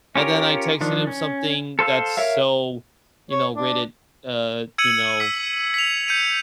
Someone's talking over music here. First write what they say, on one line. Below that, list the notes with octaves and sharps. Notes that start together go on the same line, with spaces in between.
And then I texted him something that's so, you know, rated, uh, you know,
C#4 F4 G4 A#4 C#5
D#3 F3 D4
C#4
A4 C5 F5 E6
A#4 C#5 E5 F5
C#5
D4
E6 G#6 C#7 D#7 F#7
E6 B6
B6 F7
G6 C#7 D#7